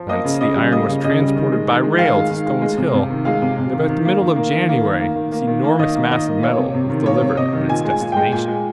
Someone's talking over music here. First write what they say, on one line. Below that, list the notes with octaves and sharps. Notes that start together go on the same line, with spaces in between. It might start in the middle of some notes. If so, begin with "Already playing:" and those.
Thence the iron was transported by rail to Stones Hill, and about the middle of January this enormous mass of metal was delivered at its destination.
Already playing: F3
A#3 D#5
C#3
C#3 D#5
G3
A#3 D#5
C#3
C#3 D#5
G3
D#3
G#3
D#3
G#3
D#3 F5
G#3
D#3
G#3
G#3
C3
C3
D#3
G#3 F5
C3
C3
D#3
D#3
A#3
D#3
A#3
D#3
A#3
D#3
A#3
D#3
A#3
D#3
A#3
D#3 D#5
A#3
D#3 D#5
A#3
A#3 C#5
C3
C3
D#3
A#3 C#5
C3
C3 D#5
D#3
A#2 G#5
G#3
G#5
A#2
G#3 G5
A#2 G#5
G#3